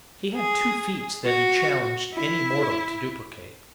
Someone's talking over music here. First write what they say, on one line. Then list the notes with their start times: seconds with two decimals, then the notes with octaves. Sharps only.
He had two feats that he challenged any mortal to duplicate.
0.36 G#4
1.25 F#4
2.13 E4